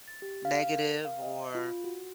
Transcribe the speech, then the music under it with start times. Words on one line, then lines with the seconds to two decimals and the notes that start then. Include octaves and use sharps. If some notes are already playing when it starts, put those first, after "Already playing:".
negative or
0.08 A6
0.22 G4
0.45 F5
0.72 A#4
1.05 F5
1.22 D#5
1.55 F4
1.84 F#4